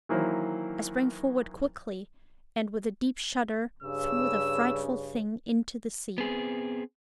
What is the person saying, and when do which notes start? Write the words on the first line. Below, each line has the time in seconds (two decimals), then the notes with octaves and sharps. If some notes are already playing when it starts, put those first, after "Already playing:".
I sprang forward quickly, and, with a deep shudder, threw the frightful thing into the sea.
0.09 D#3 E3 F#3 A#3 E4 C5
3.83 G2 C#3 E6
6.18 B3 C4 G#4